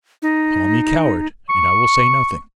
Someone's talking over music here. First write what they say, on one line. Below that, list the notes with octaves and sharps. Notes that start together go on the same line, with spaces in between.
Call me coward, and I will say nothing.
D#4
C#6